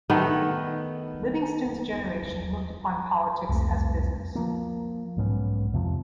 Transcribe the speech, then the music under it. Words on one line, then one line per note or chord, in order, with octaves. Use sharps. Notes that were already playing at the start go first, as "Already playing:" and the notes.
Livingston's generation looked upon politics as a business.
D#3 A3 B3
C2 F2 A3
F3 A#3
B1 G#2 B3 C#4
F2 C3 F3